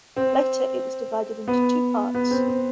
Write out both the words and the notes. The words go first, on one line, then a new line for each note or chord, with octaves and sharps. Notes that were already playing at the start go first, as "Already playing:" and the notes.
Later, it was divided into two parts.
C4
B3
B3
C4
C4